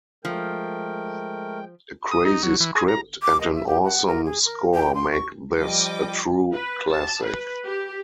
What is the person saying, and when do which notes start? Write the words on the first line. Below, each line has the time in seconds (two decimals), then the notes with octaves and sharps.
A crazy script and an awesome score make this a true classic.
0.25 F3 G#3 A3 A#4 G5
2.11 D#6
2.25 D#4
2.43 F#3
2.60 E3
2.75 G#4
2.88 A#5
3.22 D6
3.41 D#5
3.54 E5
3.67 G4
3.84 F#5
4.08 A#4
4.25 G#4
4.45 A#4
4.74 G5
4.95 C6
5.12 C#6
5.58 F3 G3 D#5 G5 D6
6.53 B4
6.90 A5
7.25 B4
7.64 G4